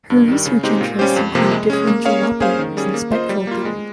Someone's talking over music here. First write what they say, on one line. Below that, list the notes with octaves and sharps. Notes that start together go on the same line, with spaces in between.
Her research interests include differential operators and spectral theory.
G2
D#3 G3
C#3
G#3 C4 D#4 G4
A#2
G3 C#4 G4 C5
F2
C3 F3 A#3
G#3
C#4 G#4
A#3
C#4 G#4 C#5 F5
A#3
C#4 G#4 C5 F5
D#3
G3 C#4 G#4
A#3
F4 C5 D#5
G3
A#3 F4
G#3